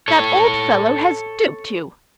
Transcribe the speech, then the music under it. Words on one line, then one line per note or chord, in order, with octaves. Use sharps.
That old fellow has duped you!
A4 C#5